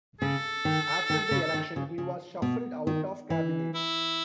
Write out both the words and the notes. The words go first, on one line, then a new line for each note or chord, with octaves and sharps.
After the election he was shuffled out of cabinet.
C#3 A4
D#3
D#3
C#3
D#3
C#3
C#3
B2
D#3
E3
E4